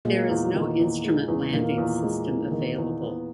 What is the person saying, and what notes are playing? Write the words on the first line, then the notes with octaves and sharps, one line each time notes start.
There is no instrument landing system available.
A#2 G#3 A#3
E2
D#3
E2
G#3
E2
A#2 D#3 A#3
E2
G#3
E2
D#3
E2
B3